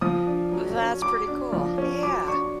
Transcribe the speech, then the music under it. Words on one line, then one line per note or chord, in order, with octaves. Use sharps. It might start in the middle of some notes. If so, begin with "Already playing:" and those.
That's pretty cool, yeah.
F3 D#6
D4
F#3
C#4
F#3 D6
D4
F3
C#4
F#3 D6
D4 C#6